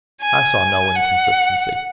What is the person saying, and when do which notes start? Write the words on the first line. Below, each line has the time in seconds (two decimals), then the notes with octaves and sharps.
I saw no inconsistency.
0.22 G#5
0.96 F#5